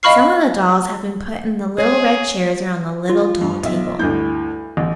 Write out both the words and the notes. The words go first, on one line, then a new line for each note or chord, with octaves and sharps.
Some of the dolls had been put in the little red chairs around the little doll table.
D#5 F5 B5 C#6 F6 C7
G#4 C#5
F4
G2
B1 E5
D2 G2 E4 G6
A1